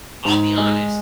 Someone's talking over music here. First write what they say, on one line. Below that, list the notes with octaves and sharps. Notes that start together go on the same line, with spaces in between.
I'll be honest,
G#2
G#3